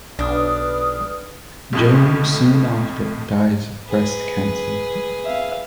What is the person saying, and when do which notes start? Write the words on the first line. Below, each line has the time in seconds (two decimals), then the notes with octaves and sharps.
Joan soon after dies of breast cancer.
0.19 B1 D4 B4 D#6 F6
1.73 B1 F2 A2
3.86 G#4 B4
5.25 E5 F5